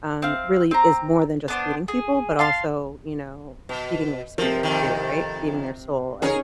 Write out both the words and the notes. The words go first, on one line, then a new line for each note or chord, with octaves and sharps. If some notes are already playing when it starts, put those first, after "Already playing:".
um, really is more than just feeding people, but also, you know, feeding their spirit too, right? Feeding their soul and
C4 F5
C4 A#5
B3 D4 C5
G#4
F5 A5 C6 F6
B2
C3 F3 A#4
F2 D#3
C#4 D#4 G#4 A#4 C#5